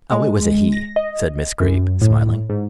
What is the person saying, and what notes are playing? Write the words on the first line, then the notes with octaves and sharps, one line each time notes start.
"Oh, it was a 'he,'" said Miss Greeb, smiling.
G#3
A#6
D#5
F#2
A2
G#2